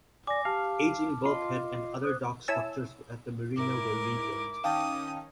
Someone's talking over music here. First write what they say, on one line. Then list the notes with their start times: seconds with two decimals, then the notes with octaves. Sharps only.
The aging bulkhead and other dock structures at the marina were rebuilt.
0.27 D5 G#5 D6 A#6
0.45 G4 F5 A5 F6
1.25 F4 D#5 C6
2.03 C5 D#6 F#6
2.48 E4 C#5 G#5 A5 E6
3.56 G#2 E4 A#4 D6
4.64 D#3 C#4 D#4 F5 G5 A5 D#6